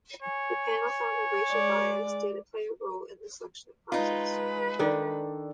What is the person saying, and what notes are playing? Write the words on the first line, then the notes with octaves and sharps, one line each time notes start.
The panel found that racial bias did play a role in the selection process.
C#5 G#5
G#3 D5
G#3 D#4 F4 B4
D#3 D4 A4 D5